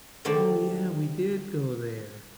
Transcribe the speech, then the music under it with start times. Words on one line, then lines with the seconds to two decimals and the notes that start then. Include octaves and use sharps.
"Oh yeah, we did go there."
0.25 D3 D#3 G3 A3 C5 D5